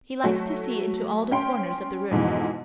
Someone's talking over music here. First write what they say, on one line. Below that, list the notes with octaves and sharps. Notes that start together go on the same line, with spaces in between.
"He likes to see into all the corners of the room."
F#3 A3 F#4
C#4 G5 C6
F2 G#2 B2 E3